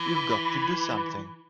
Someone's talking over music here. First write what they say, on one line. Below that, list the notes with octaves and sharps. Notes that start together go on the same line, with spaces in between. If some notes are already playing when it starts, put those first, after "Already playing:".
You've got to do something!
Already playing: E3